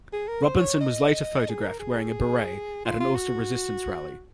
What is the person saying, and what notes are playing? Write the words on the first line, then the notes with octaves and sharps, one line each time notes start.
Robinson was later photographed wearing a beret at an Ulster Resistance rally.
G#4
A#4
C5
C#5
D#5
G#4
A#4
G#4
F4
F4
F#4